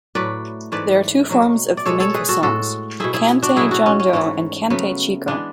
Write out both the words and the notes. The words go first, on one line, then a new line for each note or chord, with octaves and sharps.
There are two forms of flamenco songs: "cante jondo" and "cante chico".
A2 F#3 A3 B4 D5
G#2 E3 A3 B4 D5
B2 F#3 A3
D5
B2 G#3 A4 C#5
A4 C#5
G#4 B4
F#4 A4
A2 G#3 F#4 A4
B2 A3 E4 G#4
E4 G#4
D4 F#4
B2 F#3 A3 E4 G#4
F#4 A4
C#4
C#4
G#2 E3 A3 C#4
C#3 F#3 A3 B3
E3 G#3 B3 D4